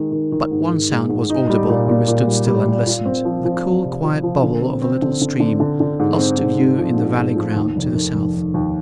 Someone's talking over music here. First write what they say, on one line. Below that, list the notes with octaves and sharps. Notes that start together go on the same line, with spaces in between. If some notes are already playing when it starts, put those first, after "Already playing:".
But one sound was audible, when we stood still and listened--the cool quiet bubble of a little stream, lost to view in the valley-ground to the south.
Already playing: D#3 G#3
D#3
D#3
G#2
G#2
G#3
G#2
D#4
G3
A#2
A#2
A#2
G3
G3
G3
F4
C4
F3
F3
C4
C3
F3
F3
D3
C4
C4
D3
D3
D3
D3
D3
G#2
C4
G#2
G#2
F3
G#2
G#2
F3
D#2
F1
D#3
F1
D#3
D#2